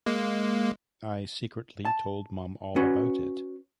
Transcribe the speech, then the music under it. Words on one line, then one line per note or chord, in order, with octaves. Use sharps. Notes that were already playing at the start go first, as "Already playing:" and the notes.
I secretly told mum all about it.
G#3 A#3
A5
C#4 F#4 B4